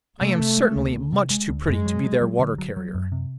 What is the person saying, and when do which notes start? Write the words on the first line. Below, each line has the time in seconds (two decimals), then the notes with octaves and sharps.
I am certainly much too pretty to be their water carrier!'
0.21 C3 A3
0.40 C3
0.57 G#3
0.76 D2
0.94 D2
1.13 C3
1.30 G#3
1.49 D2
1.67 F#2 G#3
1.86 F#3
2.04 F#3
2.22 F#3
2.40 D3
2.58 F#3
2.77 F#3
2.94 F#2
3.12 C3